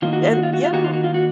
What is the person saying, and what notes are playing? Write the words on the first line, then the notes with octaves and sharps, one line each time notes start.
And yeah.
D#3 A#3 D#4 F4
F#4
F4
F#4
F4
F#4
F4
D#3 A#3 D#4 F#4
F4
F#4
F4
F#4